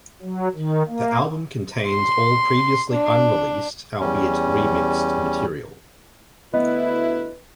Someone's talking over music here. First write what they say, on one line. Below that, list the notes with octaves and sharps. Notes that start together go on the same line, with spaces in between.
The album contains all previously unreleased, albeit remixed material.
F#3
D#3
A#3
C6
D4
E2 G3 C#4
D2 B3 E4 B4 D#5